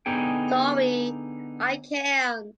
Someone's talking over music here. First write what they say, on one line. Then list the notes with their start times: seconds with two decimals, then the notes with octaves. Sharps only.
Sorry, I can’t.
0.06 D3 B3 D#4 G#4 G5